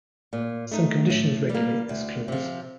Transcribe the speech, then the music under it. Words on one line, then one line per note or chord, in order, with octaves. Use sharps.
Some conditions regulate this clause.
A#2
A3 D#4
A2
G3
A#3
D2
C3 F3